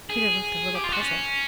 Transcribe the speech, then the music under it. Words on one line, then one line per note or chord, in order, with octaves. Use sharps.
Peter looked a little puzzled.
G#4
G4
F4
F#4
C#4